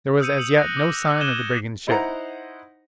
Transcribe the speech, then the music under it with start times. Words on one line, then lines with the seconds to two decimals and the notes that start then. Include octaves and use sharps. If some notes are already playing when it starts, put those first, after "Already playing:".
There was as yet no sign of the brigand ship.
0.20 D#6 E6 G6 C#7 D#7
0.37 D#6 C#7 F#7
0.58 F#6 A#6
0.77 D6
1.20 F#6 G#6 D#7 E7 G7
1.87 D#4 E4 C5 D#5 F#5 A#5